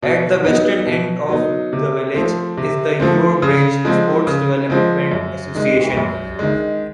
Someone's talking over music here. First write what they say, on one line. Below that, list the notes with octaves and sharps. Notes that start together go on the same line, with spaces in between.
At the western end of the village is the Yorebridge Sports Development Association.
B2
F#3 B3 D#4
B2
F#3 B3 D#4
C3
F3 A3 C4
C3
F3 A3 C4
C#3
F3 G#3 C4
C#3
F3 G#3 C4
F#2
D#3 G#3
F#2
D#3 G#3